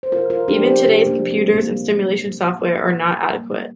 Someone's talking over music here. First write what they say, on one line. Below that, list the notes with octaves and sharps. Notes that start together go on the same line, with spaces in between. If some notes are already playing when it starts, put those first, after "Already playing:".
Even today's computers and simulation software are not adequate.
C5
C3 F4 A#4
F4 A#4
F3 A#3 D4 G4
G4 C5
C3 D4 G4
A#3 D4
F3 A#3
C4
A#2 A#3
G3 A#3
A#2
G3 A#3
A#2
G3 A#3